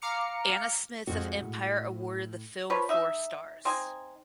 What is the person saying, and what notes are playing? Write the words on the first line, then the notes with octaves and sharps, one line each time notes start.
Anna Smith of "Empire" awarded the film four stars.
F5 A#5 D6 F6 C#7
F2 G#3 F#4
A2
F3 B4 C#5
D#4 E5
C4 D#4 G#5